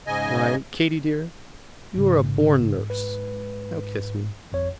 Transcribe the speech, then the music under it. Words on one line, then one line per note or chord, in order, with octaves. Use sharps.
Why, Katy dear, you are a born nurse Now kiss me.
G#2 C#3 D#5 G#5
A1 G#2 C#3
B4
G#1 F2 C#5